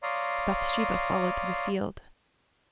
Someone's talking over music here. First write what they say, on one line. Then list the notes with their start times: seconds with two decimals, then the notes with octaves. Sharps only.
Bathsheba followed to the field.
0.03 C#5 D5 F5 A#5 C6 D#6